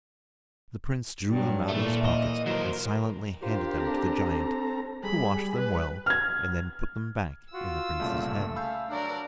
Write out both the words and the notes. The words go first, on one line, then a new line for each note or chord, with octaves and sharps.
The prince drew them out of his pocket, and silently handed them to the giant, who washed them well, and then put them back in the prince's head.
G2 F#3
A#2 E3 A3
D#5
F#3 A#4 C5
D4 F4 G4 A#4 C5
C4 A4 A#5
G3 G#4 B5
B4
F6 G#6
F4 F#4 E6
C2 A#2 C#3 A3
G#4 F5 B5 E6 G6
F#3 D4 A#4 D5